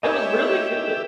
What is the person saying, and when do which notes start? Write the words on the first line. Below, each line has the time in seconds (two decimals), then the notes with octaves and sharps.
It was really good.
0.03 G4 C#5 D#5 E5 G#5